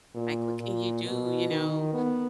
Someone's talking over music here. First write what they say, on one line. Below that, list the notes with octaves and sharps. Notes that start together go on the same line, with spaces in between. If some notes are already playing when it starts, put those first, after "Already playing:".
Like, what can you do?" You know,
A#2
A#2
B2
D#3
B3